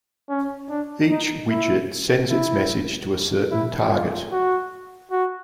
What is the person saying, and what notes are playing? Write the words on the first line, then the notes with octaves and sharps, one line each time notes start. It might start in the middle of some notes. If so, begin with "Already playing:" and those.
Each widget sends its message to a certain target.
C#4
D4
D#4
E4
E4
E4
F4
F#4
F#4